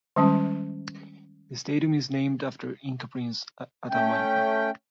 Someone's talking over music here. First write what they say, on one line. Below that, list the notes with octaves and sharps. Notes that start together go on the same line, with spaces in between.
The stadium is named after Inca prince Atahualpa.
D#3 G3 G#3 C#4
A3 C#4 G5